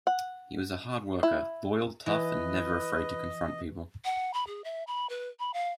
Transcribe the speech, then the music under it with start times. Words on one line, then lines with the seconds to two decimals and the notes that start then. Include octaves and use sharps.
He was a hard worker, loyal, tough, and never afraid to confront people.
0.07 F#5
1.23 E4
2.06 E3 B4 D#5
4.05 F#5
4.34 B5
4.47 G#4
4.64 E5
4.87 B5
5.09 B4
5.40 B5
5.54 F5